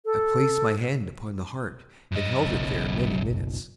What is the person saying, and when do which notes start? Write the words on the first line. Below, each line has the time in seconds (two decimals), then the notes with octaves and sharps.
I placed my hand upon the heart and held it there many minutes.
0.05 A4
2.12 F#2 D#5
2.47 F#1 B1